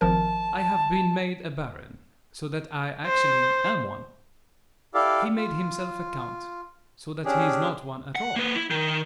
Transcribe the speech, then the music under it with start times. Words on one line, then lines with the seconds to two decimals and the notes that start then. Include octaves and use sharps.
"I have been made a baron, so that I actually am one; he made himself a count, so that he is not one at all."
0.01 G#1 F3 A#4 A5
3.06 C5
4.94 E4 G4 A4 D5 F5
5.36 F4
7.25 C#4 D4 G4 G#4
8.16 F#5
8.36 A#3 B4
8.56 E4
8.70 D#3